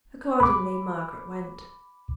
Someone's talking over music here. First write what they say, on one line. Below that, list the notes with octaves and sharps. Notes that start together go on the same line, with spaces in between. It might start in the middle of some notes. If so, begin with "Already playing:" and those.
Accordingly Margaret went.
B5 D6